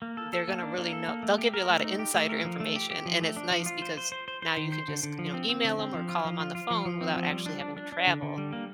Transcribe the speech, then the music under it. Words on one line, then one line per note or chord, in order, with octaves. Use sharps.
they're gonna really know they'll give you a lotta insider information, and it's nice because now you can just c you know, email 'em or call 'em on the phone without actually having to travel
A#3
A4
A4
A#3
D4
A#3
A4
A#3
A3
G4
A#4
A3
D#4
G4
A3
A#4
F3
A3
G4
G4
F3
A3
D4
F3
F4
C5
C5
C5
C5
C5
D#3
C5
D3
D3
F3
C4
C4
D3
C4
F3
F4
F3
F4
F4
F3
F3
C4
F3
G3
D4
D4
D4
D4
D3
D3
G3
A#3